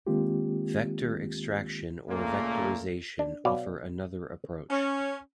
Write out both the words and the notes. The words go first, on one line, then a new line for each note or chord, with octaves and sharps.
Vector extraction or vectorization offer another approach.
D#3 G#3 A#3 C4 F4 G4
A#2 C#3 A3 A#3
D4
B2 F#3 D5 F5
C#4